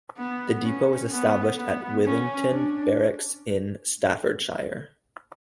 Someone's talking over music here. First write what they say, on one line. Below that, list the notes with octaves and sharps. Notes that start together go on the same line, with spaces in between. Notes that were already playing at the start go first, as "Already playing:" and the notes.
The depot was established at Whittington Barracks in Staffordshire.
B3
C#4
B3
B3
C#4
D4